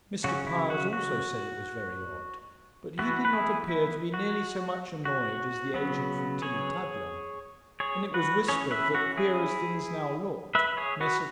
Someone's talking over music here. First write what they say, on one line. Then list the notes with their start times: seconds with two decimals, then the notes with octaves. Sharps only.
Mr. Piles also said it was very odd; but he did not appear to be nearly so much annoyed as the agent from Tillietudlem; and it was whispered that, queer as things now looked, Messrs.
0.24 C#3 F#3 C#4 F#4
0.47 E4
0.70 F#4
0.93 F#4
2.99 E3 B3 F#4
3.25 B4
3.33 E4 G#4
3.68 E4
4.14 F#4
5.05 F#4
5.74 C#3 F#3 B3
6.42 G#4 C#5
7.80 G#4 C#5
8.14 F#4 B4
8.48 E3 C#4 G#4 C#5
8.71 B4 E5
8.95 F#4
9.17 E4 G#4
10.55 B4 E5
10.77 G#4 C#5
11.01 F#4 B4